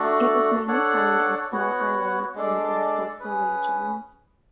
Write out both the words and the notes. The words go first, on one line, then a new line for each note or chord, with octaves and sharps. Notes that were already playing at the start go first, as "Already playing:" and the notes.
It is mainly found on small islands and in coastal regions.
Already playing: A3 D4 F#4 A4
D4 A4 C#5 F#5
B3 F#4 C#5 F#5
G#3 D4 A4 D5
C#4 G#4 B4